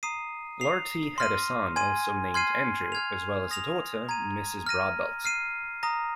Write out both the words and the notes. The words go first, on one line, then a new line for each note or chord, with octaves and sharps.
Lortie had a son also named Andrew as well as a daughter, Mrs. Brodbelt.
A#5 D#6 C7 D#7
D#6 C7 F7
C6 F6 A#6 D#7
G#5 C6 G#6 D#7
C6 F6 G#6 C7 D#7
F6 G#6 F7
D#6 A#6 F7
A#5 G#6 D#7
F6 A#6 D#7
F6 C7 D#7
A#5 D#6 A#6